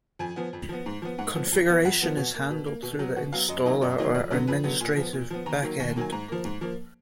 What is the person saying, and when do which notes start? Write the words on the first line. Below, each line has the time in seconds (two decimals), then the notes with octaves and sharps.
Configuration is handled through the installer or administrative back-end.
0.19 F2 G#5
0.36 F3 B3
0.53 F2
0.69 F3 B3
0.86 G#2
1.02 F3 B3
1.18 G#2 F#5
1.35 F3 B3
1.52 F2
1.68 F3 B3
1.85 F2 F#5
2.01 F3 B3
2.17 B2
2.34 A#3
2.50 B2
2.66 A#3
2.83 B2
2.99 F#3 B3
3.16 B2 F#5
3.32 F#3 B3 F5
3.48 F#2 D#5
3.65 D#3 F#3 A#3 D#5
3.82 F#2 D5
3.98 D#3 F#3 A#3 D#5
4.15 F2 D5
4.31 D3 F#3 B3 D5
4.47 F2 B4
4.64 D3 F#3 B3
4.80 A#2 G#5
4.97 F3 B3
5.13 A#2
5.30 F3 B3
5.46 D#2 A#5
5.63 D#3 F#3 A#3
5.80 D#2
5.96 D#3 F#3 A#3 G#5
6.12 G#2 A#5
6.28 F3 A#3
6.45 G#2
6.61 F3 A#3